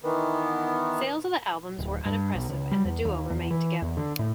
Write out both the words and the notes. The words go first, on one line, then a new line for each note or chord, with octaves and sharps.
Sales of the albums were unimpressive, and the duo remained together.
D#3 E3 B3
D1
G2
B1
C#2
G3
E2
D#2
E2
E3
E2
D3
A2